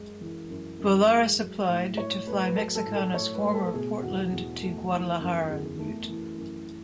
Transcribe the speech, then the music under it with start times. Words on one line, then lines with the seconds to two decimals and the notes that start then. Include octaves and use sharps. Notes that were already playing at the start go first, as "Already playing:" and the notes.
Volaris applied to fly Mexicana's former Portland to Guadalajara route.
Already playing: F#2 G#3
0.21 E3
0.50 F#2
0.79 F#2
1.09 G#3
1.39 F#3
1.68 A2
1.97 A2 C#5
2.27 A3 B4
2.45 B4
2.56 F#3 A4
2.75 A4
2.86 A2
2.95 A4
3.14 A2 C#5
3.34 B4
3.44 A3
3.54 A4
3.65 A4
3.74 B2 G#4
4.03 E2 F#4
4.33 E2
4.62 A3
4.91 E3
5.21 F#2
5.49 F#2 G#4
5.79 A3
6.09 E3
6.38 F#2